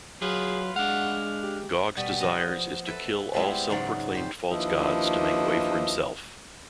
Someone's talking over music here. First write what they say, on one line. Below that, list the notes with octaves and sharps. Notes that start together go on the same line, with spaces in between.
Gog's desires is to kill all self-proclaimed false gods to make way for himself.
F#3 F4 G#4 B4
G#3 D4 F5 F#5
G4
B2 G3 B3
F3 D#5
A4 B4 E5
G3 G#3 B3 C4 E4 G4
G#2 C#3 F#3 D5
G4 C5
D#2 F3 D4 E4 B4 D#5